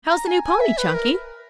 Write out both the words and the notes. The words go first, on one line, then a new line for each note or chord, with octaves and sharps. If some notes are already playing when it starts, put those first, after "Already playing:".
How's the new pony, Chunky?
A#5
G#5
G#5
E5
B4
A#4